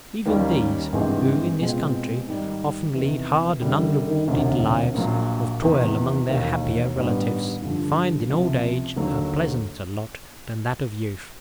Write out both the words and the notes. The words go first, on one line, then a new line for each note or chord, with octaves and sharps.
Even these, who in this country often lead hard and unrewarded lives of toil among their happier relatives, find in old age a pleasanter lot than that of youth.
D#2 D#3 G3 A#3 C#4
G#1 G2 E3 G#3 C4
B2 G#3 C4 F4
G#2 D#3 G3
E2 C3 D#3
F#2 D3 G3
E1 D2 C3 D#3
A#1 A#2 F#3
E2 C3 D#3
E1 D#2 D#3
A1 G2 D#3 G3 B3
G2 D3 F3
C#2 C3 F3
D#2 D3 F#3